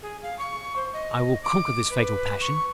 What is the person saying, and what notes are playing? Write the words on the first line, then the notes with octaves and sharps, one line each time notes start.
I will conquer this fatal passion.
G#4
F5
C#6
C5
D#5
D6
B4
C#6